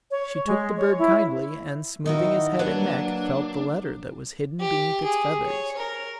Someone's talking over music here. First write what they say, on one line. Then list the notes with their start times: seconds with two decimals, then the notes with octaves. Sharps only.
She took the bird kindly, and smoothing his head and neck, felt the letter that was hidden beneath its feathers.
0.11 C#5
0.46 G#3
0.77 C#5
0.99 E4
2.06 D#3 D#4 E4 F#4
2.59 F#3 A#3 D4 B4 C#5 F#5
4.60 G4
5.04 G#4
5.45 C#5
5.77 A#4